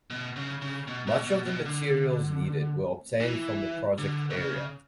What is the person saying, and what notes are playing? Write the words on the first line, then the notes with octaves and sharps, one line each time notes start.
Much of the materials needed were obtained from the project area.
B2
C#3
C#3
B2
B2
B2
B2
D3
E3
D3
B2
C#3